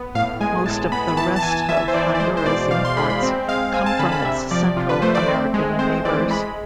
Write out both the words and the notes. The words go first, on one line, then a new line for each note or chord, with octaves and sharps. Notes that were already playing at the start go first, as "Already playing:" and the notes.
Most of the rest of Honduras's imports come from its Central American neighbors.
Already playing: B3
A2 F5
G#3 G#5
A2 A5
B3 B5
B5
E3 A5
A5
E3 G#5
E3 E5
C5
E3 D5
D5
G#3 C5
C5
B2 D5
B2 F5
C6
G#3 B5
B5
C4
G#3 F5
C4 G#5
A5
D3 B5
B5
C3 E5
F3 D5
C3 F4
B4
A3 C5
D5
C4
G#3
C4 C5
E3 D5
G#3 B5